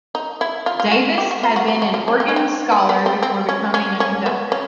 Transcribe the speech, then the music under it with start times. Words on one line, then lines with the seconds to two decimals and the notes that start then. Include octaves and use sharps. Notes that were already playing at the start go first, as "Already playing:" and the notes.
Davis had been an organ scholar before becoming a conductor.
0.15 D#4
0.41 E4
0.66 F4
0.80 F4
0.91 F#4
1.18 G4
1.31 F#4
1.43 F4
1.56 F#4
1.68 F#4
1.82 F#4
1.94 F4
2.08 C#4
2.20 C4
2.28 C#4
2.36 C4
2.72 B3
2.89 B3
3.06 C4
3.23 C4
3.49 C#4
3.74 C#4
4.00 C#4
4.26 B3
4.52 C#4